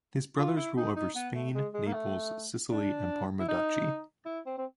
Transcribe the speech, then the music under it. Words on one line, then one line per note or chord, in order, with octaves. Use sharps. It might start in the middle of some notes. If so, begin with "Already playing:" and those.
His brothers rule over Spain, Naples, Sicily and Parma Duchy.
F4
E4
D#4
D#4
B3
A3
G#3
G#3
A#3
A3
D4
E4
D#4
E4
C4
C4